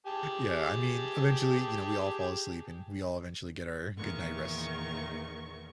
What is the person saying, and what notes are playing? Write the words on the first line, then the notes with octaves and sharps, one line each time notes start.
yeah. I mean, eventually, you know, we all fall asleep, and we all eventually get our good night rest.
G4 G#4 A5
E2 A#2 D#3 C#6